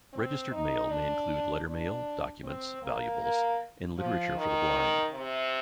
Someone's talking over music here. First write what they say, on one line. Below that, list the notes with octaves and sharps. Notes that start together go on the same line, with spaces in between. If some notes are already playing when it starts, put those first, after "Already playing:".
Registered Mail may include lettermail, documents, valuables, and literature for the blind.
C4
D#4
D4
D4
C4
A#3
A#3
F3
D#3
C3